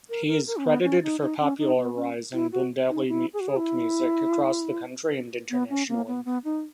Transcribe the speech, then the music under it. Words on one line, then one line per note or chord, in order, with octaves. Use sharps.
He is credited for popularizing Bundeli folk music across the country and internationally.
A#4
A#4
A#4
C#4
B3
C#4
D#4
D#4
C#4
D#4
B3
C#4
E4
F#4
D#4
E4
G#4
F#4
G#4
E4
B3
C#4
A#3
B3
B3
D#4